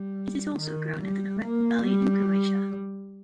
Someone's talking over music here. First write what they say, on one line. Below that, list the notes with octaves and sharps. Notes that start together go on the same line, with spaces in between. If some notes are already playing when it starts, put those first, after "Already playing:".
It is also grown in the Neretva valley in Croatia.
Already playing: G3
D#3
G3
A#3
G3